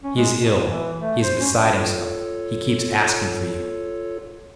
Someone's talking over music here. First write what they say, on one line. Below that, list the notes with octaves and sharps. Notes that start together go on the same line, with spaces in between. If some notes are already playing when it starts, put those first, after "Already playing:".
He is ill, he is beside himself, he keeps asking for you.
C#4
G#3
B2
E3
A3
C5
C#4
F4 A4 C#5